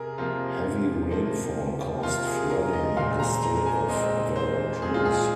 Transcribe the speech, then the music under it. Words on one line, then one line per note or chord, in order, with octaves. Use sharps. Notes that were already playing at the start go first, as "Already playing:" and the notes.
Heavy rainfall caused flooding in the state of Veracruz.
Already playing: C3 G#4 A#4
C3 F3 A#3 F4
C3 F3 A#3
C3 F3 A#3 F4
G#4
A#4
D#5
A#2 G#3 C4 F5
A#5
A#5
G#5
A#2 G#3 C4 D#5
C5
A#2 G#3 C4 G#4
F4
G#4